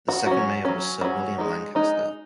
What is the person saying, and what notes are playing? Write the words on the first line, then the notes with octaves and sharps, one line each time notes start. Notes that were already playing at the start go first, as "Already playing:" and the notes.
The second Mayor was Sir William Lancaster.
F#4
F#3 C#4 F#4
F#3 C#4
F#3 C#4 F#4
G#3 D#4
G#3 D#4